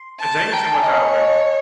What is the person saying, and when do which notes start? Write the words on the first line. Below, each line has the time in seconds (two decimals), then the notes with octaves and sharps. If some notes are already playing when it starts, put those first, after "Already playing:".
And Jameson went to Alabama.
Already playing: C6
0.20 A5
0.52 G5 A#5
0.64 A5
0.73 G#5
0.84 C#5 D#5